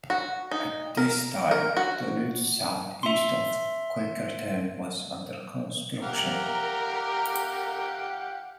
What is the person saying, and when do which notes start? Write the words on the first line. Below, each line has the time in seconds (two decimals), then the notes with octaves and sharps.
At this time, the route southeast of Quakertown was under construction.
0.10 F#4
0.51 D#4
0.97 A#4
1.51 A#4
1.77 F#4
3.03 E5 C6
6.03 G4 A#4 F5 F#5